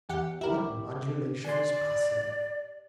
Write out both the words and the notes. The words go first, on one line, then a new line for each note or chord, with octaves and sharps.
What modulations possible!
E2 G4 F#5
E4 G4 A#4
D5 G#5 C6